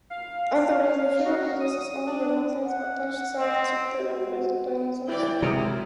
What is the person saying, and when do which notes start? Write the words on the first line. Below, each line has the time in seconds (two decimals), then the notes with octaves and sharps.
Otherwise the femur possesses all the muscle attachment sites typical of basal dinosaurs.
0.10 F5
1.25 F#4
1.60 D#6
2.07 D4
2.65 F#5
3.38 C4 D#5
4.12 G#3 A3 B3 C4 F#4
5.08 E3 E4 D5 G5
5.42 C3 F#3 G#3 E4 A#4 D#6 F6